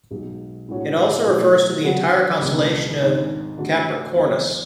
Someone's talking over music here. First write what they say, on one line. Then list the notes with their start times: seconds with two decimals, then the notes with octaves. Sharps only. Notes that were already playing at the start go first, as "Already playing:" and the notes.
It also refers to the entire constellation of Capricornus.
0.11 B1 B2 G#3
0.69 A2 G#3 D4 F#4 C#5
1.26 B2 F#3 A3 E4 B4
1.84 D3 F#3 B3 F#4
2.42 C#2 B2 G#3 D4
3.00 G#1 G#2 G#3 D4
3.58 D3 A3 D4 F#4
4.16 E2 D3 F#3 B3